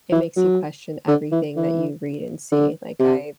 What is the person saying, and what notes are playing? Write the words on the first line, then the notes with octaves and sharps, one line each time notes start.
it makes you question everything that you read and see. Like, I
E3
F#3
D3
E3
E3
D3
C3